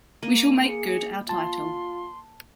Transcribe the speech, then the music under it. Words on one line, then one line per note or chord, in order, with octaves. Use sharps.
We shall make good our title.
A#3 D#7
G#4 C#7
F4 A5 C6